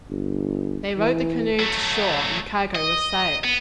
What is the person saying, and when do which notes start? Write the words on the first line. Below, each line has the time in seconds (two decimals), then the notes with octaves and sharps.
They rowed the canoe to shore and the cargo was saved.
0.10 G1
0.98 E3
1.60 F#3 A3
2.75 D#5
3.44 B3